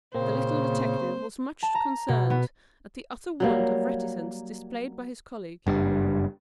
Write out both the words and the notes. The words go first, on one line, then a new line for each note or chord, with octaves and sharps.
The little detective was much concerned at the utter want of reticence displayed by his colleague.
A#2 C#3 A#3 C4 C5
A5
A#5
B2
B3
F#3 G3 A#3
F#1 G2